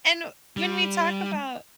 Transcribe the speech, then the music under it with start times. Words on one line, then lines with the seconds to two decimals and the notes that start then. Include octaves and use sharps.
And when we talk about
0.57 G3